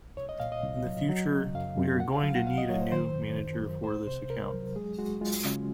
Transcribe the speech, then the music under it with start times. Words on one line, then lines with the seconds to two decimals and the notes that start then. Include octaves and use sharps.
In the future, we are going to need a new manager for this account.
0.17 C2 C#5
0.29 D#5
0.40 A#2 F5
0.52 D#5
0.63 C2
0.86 F#3
1.09 F#3
1.32 C#3
1.55 F#2 F5
1.78 F#2
2.00 C2 F#5
2.12 F5
2.24 F#3 F5
2.35 F#5
2.46 C2 F5
2.58 D#5
2.69 F#3 C#5
2.81 C5
2.92 D#3 C5
3.15 F#2
3.38 F#2
3.61 F#2
3.84 C2 C5
4.07 C3 C5
4.29 C2 A#4
4.53 F#3
4.76 G#3 G#4
4.98 G#3 F#4
5.21 G#3 F4
5.44 C#3 C#4